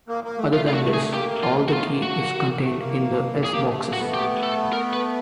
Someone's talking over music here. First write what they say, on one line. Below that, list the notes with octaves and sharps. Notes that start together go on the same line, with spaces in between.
Other than this, all the key is contained in the S-boxes.
A#3
A#3
A3
A3 F4
F4
F#4
G#4
A#3 G4
F4
A3
A#3 F#4
A3 B3 F4
A#3
A3 F#4
A#3
A#3
A#3
A3
A#3
G#4
A#3 G4
A3
A#3
F#4
A3 B3
G4
A4
A#4
B4